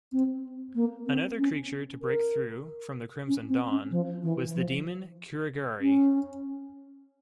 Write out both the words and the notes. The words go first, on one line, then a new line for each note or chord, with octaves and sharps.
Another creature to break through from the Crimson Dawn, was the demon Kuragari.
C4
A#3
C4
C#4
A#4
C#4
C4
C#4
F3
E3
F3
C#4